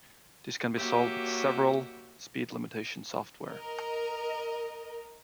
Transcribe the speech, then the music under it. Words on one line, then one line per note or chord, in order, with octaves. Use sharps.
This can be solved with several speed limitation software.
A#3 F#4 G4 C#5 E5
A#4 D#5